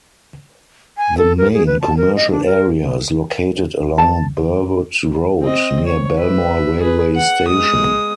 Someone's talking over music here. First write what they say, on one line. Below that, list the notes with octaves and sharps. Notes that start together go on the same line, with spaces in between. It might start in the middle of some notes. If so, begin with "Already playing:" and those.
The main commercial area is located along Burwood Road, near Belmore railway station.
G#5
A4
A#4
G#4
B4
A5
A#4
D#5
D4
A#4
A5
C4 D#5
C#5
B4 E5
G#4 B4
F#5
G#3 D#6